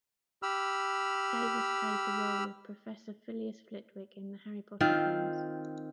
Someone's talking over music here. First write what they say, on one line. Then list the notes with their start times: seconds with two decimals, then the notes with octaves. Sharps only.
Davis played the role of Professor Filius Flitwick in the "Harry Potter" films.
0.43 G4 B5 E6 F6
4.80 D#3 C4 F4